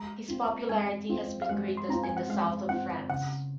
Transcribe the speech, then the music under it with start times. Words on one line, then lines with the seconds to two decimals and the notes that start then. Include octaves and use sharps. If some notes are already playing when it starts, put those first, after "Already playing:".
His popularity has been greatest in the south of France.
Already playing: G#3 A#5
0.28 C4 F4
0.69 G#3 G#5
1.09 C4 F4
1.42 F5
1.49 G#3 F#5
1.77 C6
1.89 C4 F4 A#5
2.03 G#5
2.17 F#5
2.29 G#3 F5
2.69 C4 F4 F#5
3.10 C#3 F#5